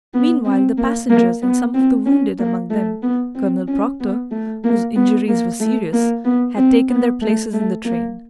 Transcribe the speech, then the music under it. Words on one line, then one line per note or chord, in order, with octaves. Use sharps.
Meanwhile the passengers and some of the wounded, among them Colonel Proctor, whose injuries were serious, had taken their places in the train.
B3
C4
A#3
A#3
B3
C4
C#4
A#3
A3
B3
C4
C#4
B3
A3
A#3
B3
A#3
A3
A#3
B3
C4
B3
A3
A3
A#3